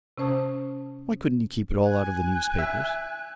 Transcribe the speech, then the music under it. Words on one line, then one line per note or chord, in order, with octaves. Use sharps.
"Why couldn't you keep it all out of the newspapers?"
C3 C#4 C5 A5 D#6
G#5 F#6
E5